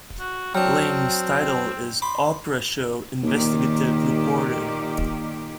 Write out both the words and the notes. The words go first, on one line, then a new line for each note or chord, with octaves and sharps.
Ling's title is Oprah Show Investigative Reporter.
F#4
F#3 C4 D4 G5 F6
B5 C6 D6
D#2 A#2 D#3 G4